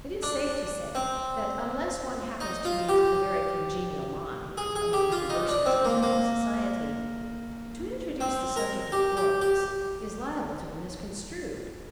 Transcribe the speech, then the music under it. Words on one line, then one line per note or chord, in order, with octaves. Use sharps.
It is safe to say that unless one happens to meet a very congenial mind among conversers in general society, to introduce the subject of books is liable to be misconstrued.
D4
C4
D#4
F4
G4
G#4
G#4
G4
F4
D#4
D4
C4
A#3
A#3
C4
A#4
G4
G4
G4